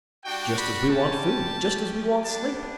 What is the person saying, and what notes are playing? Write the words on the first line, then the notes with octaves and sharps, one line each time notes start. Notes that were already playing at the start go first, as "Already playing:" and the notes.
Just as we want food, just as we want sleep.
G3 D4 F#4 G5
B5
G3 C#4 G4 A5
C#4 G4
B3 D4 G4 A5